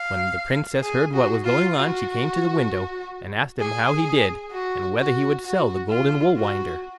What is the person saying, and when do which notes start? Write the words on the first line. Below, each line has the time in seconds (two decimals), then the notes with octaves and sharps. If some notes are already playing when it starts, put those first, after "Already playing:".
When the Princess heard what was going on, she came to the window, and asked him how he did, and whether he would sell the golden wool-winder?
Already playing: F5
0.83 G#4
1.13 F#4
1.45 F4
1.75 F#4
3.60 G#4
4.52 F#4
4.98 F#4
5.45 F#4
5.90 F4
6.37 F#4